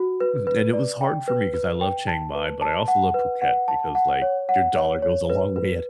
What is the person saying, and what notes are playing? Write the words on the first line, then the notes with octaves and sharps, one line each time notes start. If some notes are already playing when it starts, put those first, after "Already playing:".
Mhm, and it was hard for me 'cause I love Chiang Mai, but I also love Phuket because, like, your dollar goes a long way at
Already playing: F#4
B4
B4
D5
G5
B4
B4
G5
A5
B4
A5
F#5
B4
F#5
A5
F#5
C#5
F#5
C#5
C#5
B4
B4